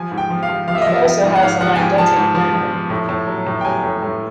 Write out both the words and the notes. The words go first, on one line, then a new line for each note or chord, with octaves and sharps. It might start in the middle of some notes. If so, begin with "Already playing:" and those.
He also has a eidetic memory.
Already playing: F3 G#5
G#2
G5
F3
F5
F3
F3 F5
E5
D#5
F3 E5
F3
G#2
F#5
G#2 F5
F3 F#5
G#5
G#2 G5
F3 A5
G#2
F3
F3
F3
A2
A2
F#3
A2
G5
F#3 G#5
A2
A2